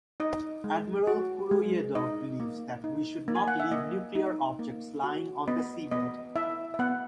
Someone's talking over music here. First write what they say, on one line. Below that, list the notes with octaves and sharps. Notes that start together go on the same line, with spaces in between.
Admiral Kuroyedov believes that "we should not leave nuclear objects lying on the seabed".
D#4 D#5
G#3
F#4
G#3
D#4 D#5
A#3
D#4
A#3
G#5
F#5
E5
A#3 D#5
D#4
A#3
F#4
B3 D#5
B3 D#5
E4 E5
E5
B3 F#5